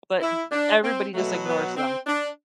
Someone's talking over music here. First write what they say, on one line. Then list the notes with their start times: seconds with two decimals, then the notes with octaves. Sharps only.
but everybody just ignores them.
0.21 E4
0.51 D4
0.83 C4
1.13 B2 F#3 A3
1.45 B3
1.76 C4
2.07 D4